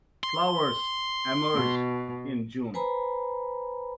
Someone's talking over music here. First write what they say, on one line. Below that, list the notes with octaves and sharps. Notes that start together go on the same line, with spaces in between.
Flowers emerge in June.
C6
B2
B4 C5 G#5 A#5 B5